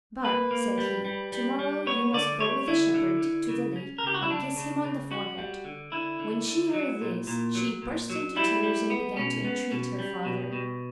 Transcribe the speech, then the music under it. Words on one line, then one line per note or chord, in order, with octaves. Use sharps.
"But," said he, "to-morrow you must go with the shepherd to the lake and kiss him on the forehead." When she heard this she burst into tears and began to entreat her father.
A#3 B4
A#3
G3
G3
G3
G3
B3 C#5
D3 D5
G3 C#5
D3 E4
D3
D3
C#3
C#4
A#4
C#3 G4
F#4
E4
C#3 D4
C#3
C#3
C#4 F#4
G3
D3
D3 E4
D3
D3
F#3
A#2
A#2
F#3
A#2
F#3
G3 E4
G3
B3
B2 C#4
B3
B2
G3
B2
B2